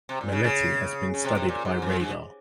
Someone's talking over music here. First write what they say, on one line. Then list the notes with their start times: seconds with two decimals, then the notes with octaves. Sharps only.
Melete has been studied by radar.
0.09 C3
0.21 A#2
0.32 C#3
0.44 C#3
1.14 C#3
1.25 C3
1.37 C3
1.48 A#2
1.65 G#2
1.82 F2
2.00 G2